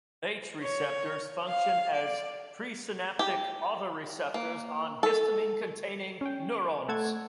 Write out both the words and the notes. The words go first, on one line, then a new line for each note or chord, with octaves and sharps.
H receptors function as presynaptic autoreceptors on histamine-containing neurons.
C#5
F5
D5
G4
A#3
A4
C#4 G5
A3 A4 F#5 A5 G#6